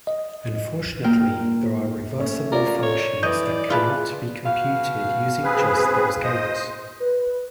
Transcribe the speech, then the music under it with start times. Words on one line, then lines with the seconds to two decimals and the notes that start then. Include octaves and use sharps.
Unfortunately, there are reversible functions that cannot be computed using just those gates.
0.07 D#5
1.04 A#2 A#3 G5 F6
2.19 A3 C#4
2.52 C#4 F4 A#4 D5
2.82 A4 C#5
3.23 E3 D5 D#5 G6
3.70 F4 G#4 B4 A5
4.45 B2 F5
5.44 C4 G#4 B4
6.24 C5 D#5 D#6
7.00 B4